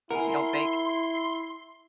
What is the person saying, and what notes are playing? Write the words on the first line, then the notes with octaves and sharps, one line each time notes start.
You don't bake?
E4 A#4 F#5 G#5 C6